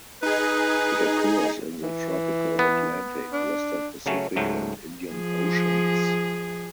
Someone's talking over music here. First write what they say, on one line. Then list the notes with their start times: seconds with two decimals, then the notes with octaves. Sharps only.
It occurs in the tropical Atlantic, western Pacific and Indian Oceans.
0.23 D#4 G#4 B4
1.83 E3
2.59 B3
3.33 D4
4.06 C#3 F#3 A3 C#4
4.36 C#2 G#2 F#3 A3
5.12 F3 G#4